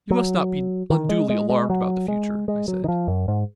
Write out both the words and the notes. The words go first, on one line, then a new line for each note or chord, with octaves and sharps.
"You must not be unduly alarmed about the future," I said.
F#3
D#3
G#3
G#3
G#3
F#3
G#3
G#3
F#3
D#3
F3
F#2
G#2